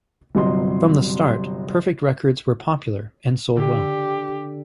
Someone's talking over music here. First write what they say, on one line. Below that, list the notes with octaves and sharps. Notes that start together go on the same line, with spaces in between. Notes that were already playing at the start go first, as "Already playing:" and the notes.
From the start, Perfect Records were popular and sold well.
G1 G2 C3 F#3 D#5 C6
D3 G4